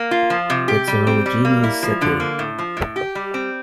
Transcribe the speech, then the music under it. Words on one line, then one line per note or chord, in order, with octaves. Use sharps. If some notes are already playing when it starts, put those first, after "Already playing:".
It's a homogeneous city.
Already playing: A#3
F4
F3
C3
G4
G3
C4
G3
A#3
E4
F3
D3
A#3
A2
F3
A2
G4
G3
C4